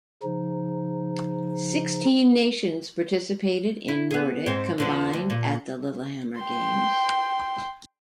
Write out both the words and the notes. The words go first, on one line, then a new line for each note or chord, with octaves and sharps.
Sixteen nations participated in nordic combined at the Lillehammer Games.
C#3 F3 D#4
E4
B3 G#4
G#2 C4
E2 D3 F3
D2
A#2
G5 C6